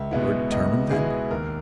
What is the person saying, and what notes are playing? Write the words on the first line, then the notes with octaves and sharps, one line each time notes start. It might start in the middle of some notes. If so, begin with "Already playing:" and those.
"You are determined then?"
Already playing: C#2 E5
B2 G#3 B3 E4
C#2 D#5
B2 G#3 B3 E4 G#4
D#2 A#4